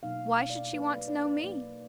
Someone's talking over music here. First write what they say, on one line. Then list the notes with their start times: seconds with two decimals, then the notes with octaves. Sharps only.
"Why should she want to know me?"
0.03 B2 F#3 A#3 D#4 F5
0.26 F5
0.50 D5
0.73 B2 F#3 A#3 D#4 B4
0.91 D5
1.08 D5
1.25 B4
1.42 B2 F#3 A#3 D#4 D5